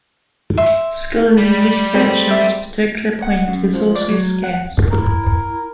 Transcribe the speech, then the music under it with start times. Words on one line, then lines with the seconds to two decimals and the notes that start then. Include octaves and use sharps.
Scholarly research on this particular point is also scarce.
0.57 E5 C6
1.38 G3
1.94 G#3 A3 C4
2.30 E5
3.22 F#5
3.48 F#2
3.74 F3
3.96 D5
4.09 F#3
4.44 F#5
4.92 E4 A#4